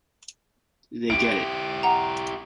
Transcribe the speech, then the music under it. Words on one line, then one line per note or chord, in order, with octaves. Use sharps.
They get it.
E4 G4 D7
F#5 A#5